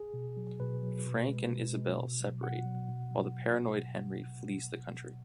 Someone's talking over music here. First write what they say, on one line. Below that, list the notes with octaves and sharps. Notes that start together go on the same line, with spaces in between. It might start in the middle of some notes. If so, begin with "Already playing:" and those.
Frank and Isabel separate, while the paranoid Henry flees the country.
Already playing: G#4
B2
F#3
B2 B4
F#3
B2
G#3
B2
G#3
B2
F#3
B2 F#5
F#3
B2
F#3